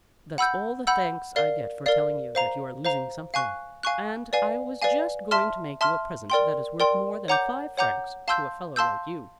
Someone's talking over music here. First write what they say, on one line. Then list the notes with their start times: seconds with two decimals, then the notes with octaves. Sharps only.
"That's all the thanks I get for telling you that you are losing something, and I was just going to make you a present that is worth more than five francs to a fellow like you."
0.38 F#5 B5 E6 G6
0.87 F#5 B5 E6 G6
1.36 A#4 D5 F5
1.86 A#4 D5 F5
2.35 C5 F5 A#5
2.85 C5 F5 A#5
3.34 F5 G#5 C#6 F#6
3.83 F5 G#5 C#6 F#6
4.33 B4 D5 F5 G#5
4.82 B4 D5 F5 G#5
5.31 E5 A5 C6 F6
5.81 E5 A5 C6 F6
6.30 A#4 D5 G5 C6
6.80 A#4 D5 G5 C6
7.28 C#5 F#5 A#5 D6 G6
7.77 C#5 F#5 A#5 D6 G6
8.28 F5 A5 C6 E6 G6
8.76 F5 A5 C6 E6 G6